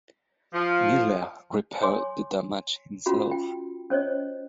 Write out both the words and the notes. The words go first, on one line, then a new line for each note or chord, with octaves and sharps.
Miller repaired the damage himself.
F3
C#5 G#5 C6 D6
C#4 F4 F#4 B5
G5
C#4 C5 C#5 D#5